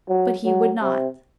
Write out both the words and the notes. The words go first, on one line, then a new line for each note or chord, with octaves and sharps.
But he would not.
F#3
F#3
C3